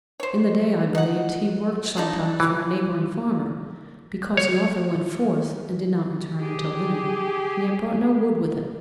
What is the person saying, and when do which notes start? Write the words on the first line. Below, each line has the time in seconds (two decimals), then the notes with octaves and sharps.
In the day, I believe, he worked sometimes for a neighbouring farmer, because he often went forth and did not return until dinner, yet brought no wood with him.
0.20 C5 C#5
0.95 D#4 F#5
1.97 C#3 D4 D#4
2.40 E3
4.37 C#5
6.39 G4 G#4